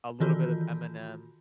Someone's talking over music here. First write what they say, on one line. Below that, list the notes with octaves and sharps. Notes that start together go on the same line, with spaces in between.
a little bit of Eminem
D#3 E3 F4 F#4 G6